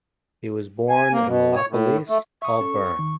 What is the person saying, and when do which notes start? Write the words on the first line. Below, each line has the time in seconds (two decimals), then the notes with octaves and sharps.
He was born at Lapalisse, Auvergne.
0.89 G#5
1.13 A#3
1.28 B2
1.56 C#5
1.70 A2
2.09 A3
2.42 E5 C#6 D#6
2.61 C#4 A4
2.99 D#3